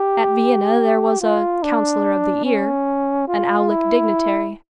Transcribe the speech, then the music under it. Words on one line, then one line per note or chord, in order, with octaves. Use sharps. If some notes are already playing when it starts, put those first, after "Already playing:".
At Vienna there was "a counsellor of the ear"--an aulic dignitary.
Already playing: G4
F4
D4
C#4
F4
E4